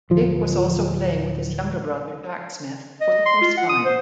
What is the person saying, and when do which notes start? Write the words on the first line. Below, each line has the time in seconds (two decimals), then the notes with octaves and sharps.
Dick was also playing with his younger brother Jack Smith for the first time.
0.10 D1 F3
3.01 D#5
3.26 C6
3.42 F4
3.58 F#5
3.69 D#6
3.85 C5